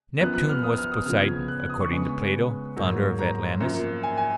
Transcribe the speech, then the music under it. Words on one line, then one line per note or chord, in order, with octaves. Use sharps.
Neptune was Poseidon, according to Plato, founder of Atlantis.
F#2 F3 B3 F#6
F#6
F6
D#6
F6
D#6
C#3 F3 B3 F6
G#6
F#6
F#6
D#6
C#6
C#3 G#3 B3 C#6
G#2 F#3 A#3
A#5
F#2 F3 A#3
G#5
G#5